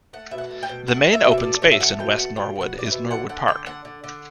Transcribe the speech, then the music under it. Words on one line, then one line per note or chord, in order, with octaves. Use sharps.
The main open space in West Norwood is Norwood Park.
A3 F#5
B2 E5
F#5
A3
G5
B2
A3 F#5
A3
E5
B2
E5
D5
A3
B2 C#5
E5
A3 F#5
B2 G5
A3 F#5
B2 G5
B2
F#5
B2
D5
E5
B2
D3 F#5
D3 F#5
D3 G5
D3 F#5
D3
D3